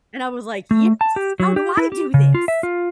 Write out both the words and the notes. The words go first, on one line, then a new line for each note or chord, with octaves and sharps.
And I was, like, "Yes! How do I do this?"
A3
A5
G4
F#3
G4
E4
G4
C#3
F4
E5
F4